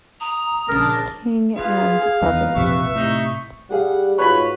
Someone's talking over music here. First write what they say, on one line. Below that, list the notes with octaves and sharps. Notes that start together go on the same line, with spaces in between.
King and others.
A#5 D#6
A#1 C#3 D4 A#4 D#6
B3 F4 G#4 F5
E2 D#4 B4
A#1 F2 C3 E5 C#6
A2 C3 D#4
G3 G4 G#4 F5 F#5
G#2 F4 F#4 B4 C#5 B5